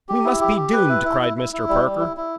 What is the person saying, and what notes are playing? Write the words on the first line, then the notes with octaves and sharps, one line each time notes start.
"We must be doomed!" cried Mr. Parker.
G4
E4
G4
G4
B4
E4
E4
E4
E4
E4
G3
G3
E4
E4